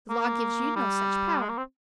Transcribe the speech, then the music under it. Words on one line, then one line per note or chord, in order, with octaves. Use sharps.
The law gives you no such power.
A#3
G3
G#3
A#3
C4